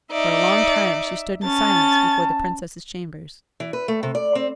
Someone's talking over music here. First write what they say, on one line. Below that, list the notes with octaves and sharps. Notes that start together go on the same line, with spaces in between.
For a long time she stood in silence before the Princesses' chambers.
D#4 D5 E5
C#4 A5 A6
E3
B4
A3
C3
D5
C4